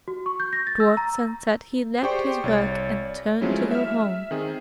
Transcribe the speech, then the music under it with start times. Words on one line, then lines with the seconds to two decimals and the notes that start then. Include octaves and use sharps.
Towards sunset he left his work and turned to go home.
0.08 F#4
0.26 C#6
0.40 G6
0.53 A#6
0.67 A6
0.80 E6
0.97 A#5
2.03 G4 G#4 C5 D5 G5 C#6
2.44 C2 C#5 A6
3.05 D5
3.41 F3 F#3 G#3 A3 C#4 E4
3.71 E5 F6
4.31 D#3 C4 G#4